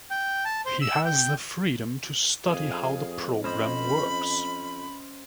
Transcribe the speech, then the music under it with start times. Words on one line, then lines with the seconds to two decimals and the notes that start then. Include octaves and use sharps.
He has the freedom to study how the program works.
0.10 G5
0.45 A5
0.66 C5
0.82 E6
1.05 G5
2.48 F2 G#4 F5
3.44 C#4 C5 D#5 B5